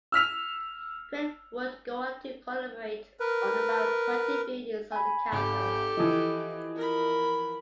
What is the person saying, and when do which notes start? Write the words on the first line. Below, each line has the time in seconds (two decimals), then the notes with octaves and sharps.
Cret would go on to collaborate on about twenty buildings on the campus.
0.12 E6 F6 B6 F7
3.20 A#4 B4
4.92 G#5 B5
5.32 G#1 G4 A4
5.97 E3 F3 D#5 D#6
6.75 A#4 B5